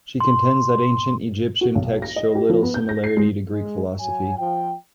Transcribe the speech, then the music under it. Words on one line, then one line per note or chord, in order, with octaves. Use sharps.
She contends that ancient Egyptian texts show little similarity to Greek philosophy.
C6
F#4
B1
A#6
D#5
G4
F3
B3
G6
A#6
C7
G#3
G#3
F#3 G#5
F3 G5